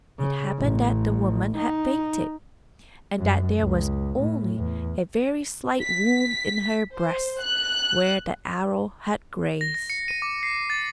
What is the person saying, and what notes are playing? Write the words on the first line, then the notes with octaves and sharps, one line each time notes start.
It happened that the woman had fainted, and that there was only a very slight wound in her breast where the arrow had grazed.
C#3
A1
D#4
F#2
C#2
A2
E2
B6
C5
F#6
A#6
A#6
C#7
D#7
D6
C7
A6